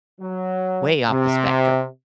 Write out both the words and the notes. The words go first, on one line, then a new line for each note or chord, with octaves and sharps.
way off the spectrum.
F#3
C3